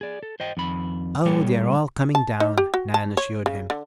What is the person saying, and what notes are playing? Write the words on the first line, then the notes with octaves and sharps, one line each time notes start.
"Oh, they are all coming down," Nan assured him.
G#4 D5
A4
C5 D#5 G5
F2 D#3 B5
A#2 G3 G#4 A#4 C#5 G5
A5
D#4
G4
F#4
A5
C#5
C#3
D3